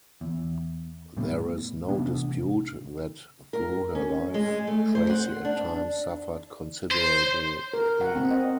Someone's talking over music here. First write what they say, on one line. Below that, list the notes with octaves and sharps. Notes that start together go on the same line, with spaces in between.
There is no dispute that through her life, Tracy at times suffered considerable pain.
E2
A2 G3 B3
A1 C3 B3 D4
A#4
C#4
G#3
A3
C5
F#5
D4
C5
A#4
F#5
C4
D#5